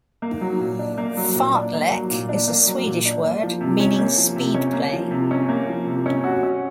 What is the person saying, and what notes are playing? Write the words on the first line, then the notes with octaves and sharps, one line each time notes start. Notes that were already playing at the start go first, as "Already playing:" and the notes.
Fartlek is a Swedish word, meaning speed play.
A#3
F#3
A#2
D4
A#3
F#3
A#2
D4
A#3
F#3
A#2
D4
A#3
F#3
A#2
D4
A#3
F3
C3
C#4
A#3
F3
C3
C#4
A#3
F3
C3
C#4
A#3
F3
C3
C#4
F#4
C#4